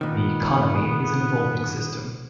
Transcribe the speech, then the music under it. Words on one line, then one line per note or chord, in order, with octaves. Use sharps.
The economy is an evolving system.
A#2 D#3 B3